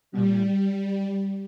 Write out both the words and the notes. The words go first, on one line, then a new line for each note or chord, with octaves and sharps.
Oh man.
G3